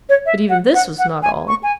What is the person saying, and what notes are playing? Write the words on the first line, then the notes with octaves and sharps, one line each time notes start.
But even this was not all.
C#5
E5
F#5
F#5
F#5
G#5
C#6
G#5